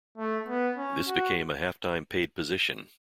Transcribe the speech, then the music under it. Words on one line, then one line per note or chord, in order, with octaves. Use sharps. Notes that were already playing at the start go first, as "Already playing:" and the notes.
This became a half-time paid position.
A3
B3
C#4
F#4